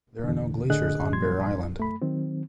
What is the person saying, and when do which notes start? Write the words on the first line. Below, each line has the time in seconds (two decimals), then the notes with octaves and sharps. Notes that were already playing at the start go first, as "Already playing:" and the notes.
There are no glaciers on Bear Island.
0.23 E2 B2 D3
0.70 A2 D3 G#4 D#5 F#6
1.13 C2 A#2 F3 G3 C6 G#6
1.77 F#2 A3 B5
2.02 D#3 F#3 C4